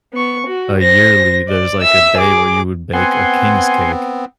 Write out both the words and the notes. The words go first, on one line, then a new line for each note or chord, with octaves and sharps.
uh, yearly, there's, like, a day where you would bake a king's cake,
B3 C#6
F#4
C5 A#6
D5
E5 E6
G#4 D6
B3 C4 F#5 G#5 C6